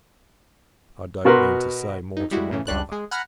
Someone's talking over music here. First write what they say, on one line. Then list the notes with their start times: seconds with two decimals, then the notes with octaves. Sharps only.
I don't mean to say more to my Brother.
1.25 B2 F#4 A#4 B4 C6
2.17 F2 D#4
2.31 G3 G#3 E4 F#4
2.51 A2 C#3 E3
2.67 C#2 G3 D4 F#6
2.92 G#3 G#4
3.11 F#5 G#5 A#5 B5 F6